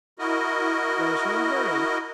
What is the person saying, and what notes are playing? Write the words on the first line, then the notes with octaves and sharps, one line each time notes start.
There is no hurry.
E4 F#4 A#4 D#5